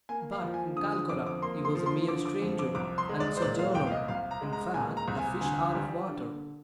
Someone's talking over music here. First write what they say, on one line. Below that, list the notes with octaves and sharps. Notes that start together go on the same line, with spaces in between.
But in Calcutta he was a mere stranger and sojourner-in fact a fish out of water.
A#3 G#5
F5
F3
G#5
D3 D#6
D#6
F2 D6
D6
A#3 C6
C6
F3
C6
D3 D6
D6
F2
D6
C2 D6
C6
G#3
D5
C5
A#2 D5
F5
C2 G5
F5
D#5
C2 F5
A#5
G#3
A#5
A#2 G#5
A#5
C2
G#5
D2 G#5
G3
D3